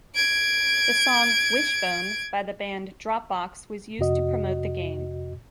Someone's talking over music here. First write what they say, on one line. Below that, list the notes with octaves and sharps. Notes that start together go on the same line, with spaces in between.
The song "Wishbone" by the band Dropbox was used to promote the game.
G#6 D7
F2 C3 F#4 D#5